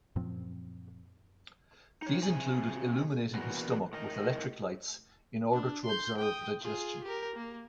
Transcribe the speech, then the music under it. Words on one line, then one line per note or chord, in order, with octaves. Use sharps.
These included illuminating his stomach with electric lights in order to observe digestion.
F#2 A#2 F3 C4
D#4 C#5
C3 G#4 G#5
A#2 E3 B3 F#4 A#4
A2 A#4 D#5
D4
C6 G6
G5 D#6
F4 G#4
G4 A#4
A#3